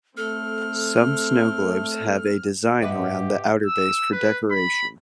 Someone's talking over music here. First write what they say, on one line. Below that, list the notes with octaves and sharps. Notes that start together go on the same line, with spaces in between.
Some snow globes have a design around the outerbase for decoration.
A3 C4 A4 F6
G#2 C3 F#4 G4 B4 D#5 E5 D6
E6
B4
B5